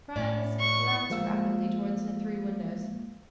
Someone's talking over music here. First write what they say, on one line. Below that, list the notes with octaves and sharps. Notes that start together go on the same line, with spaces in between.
Franz glanced rapidly towards the three windows.
A2 D5
C#6
F3 G#3 A#3 F5 E6